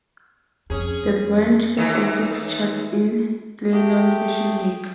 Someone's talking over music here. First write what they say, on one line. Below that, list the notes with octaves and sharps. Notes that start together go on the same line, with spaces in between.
The brand has also featured in Ceylon Fashion Week.
F2 C#4 G#4
D#2 E3 D#4
A3 G4 G#4